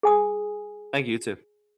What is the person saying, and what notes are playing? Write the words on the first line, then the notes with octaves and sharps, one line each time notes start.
Thank you. You too.
G#4 G#5 D#6